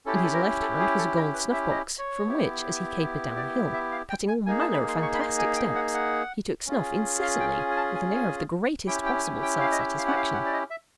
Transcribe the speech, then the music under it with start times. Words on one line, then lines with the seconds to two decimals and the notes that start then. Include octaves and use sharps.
In his left hand was a gold snuff-box, from which, as he capered down the hill, cutting all manner of fantastic steps, he took snuff incessantly with an air of the greatest possible self-satisfaction.
0.06 C#4 E4 G4 A4
0.15 G#4
0.23 A4
0.33 A#4
0.61 A4
0.80 G#4
0.98 A4
1.16 A#4
1.34 B4
1.53 E5
1.70 D#5
1.98 C#5
2.26 B3 E4 G4
3.37 D5
3.73 E5
3.92 F5
4.10 G5
4.28 G#5
4.46 A#3 D#4 G#4 G#5
4.60 A5
4.73 B5
4.88 C6
5.02 C#6
5.14 B5
5.20 C6
5.39 G#5
5.56 G5
5.75 F#5
5.94 F#5
6.66 C#4 F4 G#4
7.21 F5
7.40 G5
7.59 G#5
7.71 G#5
7.77 A5
7.95 G#5
8.14 G#5
8.87 C#4 E4 G4 G5
9.05 G5
9.24 G#5
9.42 G5
9.61 F5
9.72 D#5
9.79 E5
9.98 F5
10.07 F#5
10.16 F5
10.34 F#5
10.46 D5
10.53 D#5
10.70 E5